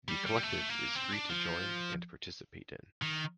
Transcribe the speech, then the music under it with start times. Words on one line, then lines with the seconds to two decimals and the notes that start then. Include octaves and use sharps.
The Collective is free to join and participate in.
0.08 G3
0.26 G3
0.43 A3
0.70 A#3
0.95 C4
1.12 D4
1.29 F3
3.02 D#3